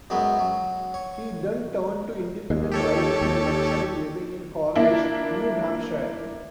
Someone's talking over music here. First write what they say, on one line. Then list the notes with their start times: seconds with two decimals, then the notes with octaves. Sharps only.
He then turned to independent writing and lecturing, living in Cornish, New Hampshire.
0.10 F#2 F#3 G#3 B3
0.39 F#3
0.94 C#5
2.50 D#2
2.72 G4 A4 C#5
3.21 D#2
4.76 A#3 D4 E4